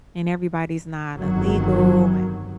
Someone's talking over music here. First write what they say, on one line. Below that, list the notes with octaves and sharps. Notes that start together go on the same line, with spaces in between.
and everybody's not illegal, and
G1 F2 D#3 F#3